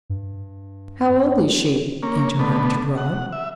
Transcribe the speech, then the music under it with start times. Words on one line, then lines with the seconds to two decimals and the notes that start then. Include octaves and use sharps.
"How old is she?" interrupted Rob.
0.10 G2
2.03 A#3 C#4
2.39 B2 D3 A3 B3
2.98 F#5
3.32 E5